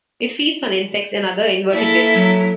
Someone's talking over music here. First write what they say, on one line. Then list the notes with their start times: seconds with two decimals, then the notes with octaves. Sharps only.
It feeds on insects and other invertebrates.
1.72 A#3 E4 A4 E5
2.14 F#3